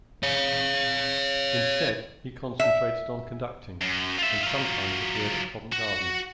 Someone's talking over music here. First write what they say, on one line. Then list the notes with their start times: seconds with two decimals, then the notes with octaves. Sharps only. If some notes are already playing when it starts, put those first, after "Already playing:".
Instead he concentrated on conducting, and sometimes appeared at Covent Garden.
0.23 C#5 F5
2.60 E5
3.81 F#2
4.19 F4 E5
4.43 F#3 F4
5.72 F#4